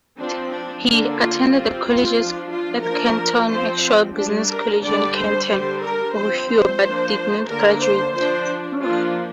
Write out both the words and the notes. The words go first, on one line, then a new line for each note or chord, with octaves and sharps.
He attended college at Canton Actual Business College in Canton, Ohio.but did not graduate.
F3 C4 D4
D4
D3 A#3 D4
F4
G3 C4
F4
F3 D4
F4
F3 A#3 D4 A#4
F3 C4 C5
G3 D4
A#4
D3 G3 D4 D5
C5
D3 G3 D4
A#4
F3 C4 C5
C5
F3 A#3 D4
D3 A#3 D4 A#4
C5
F3 D4 C5
F3 A#3 D4 F4